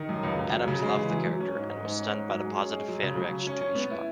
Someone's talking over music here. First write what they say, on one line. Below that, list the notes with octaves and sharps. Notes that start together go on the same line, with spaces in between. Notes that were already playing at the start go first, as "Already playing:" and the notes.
Adams loved the character, and was stunned by the positive fan reaction to Ishka.
Already playing: D#3
F#2
C#2
C#2
F#3
C#3
G#3
E3
F#3
F#3
C#4
G#2
G#2
G#2
C#4
G#2
F#3
G#3
C#4
G#3
F#3
C#3
F#3
C#4
C#4
C#4
B3
E4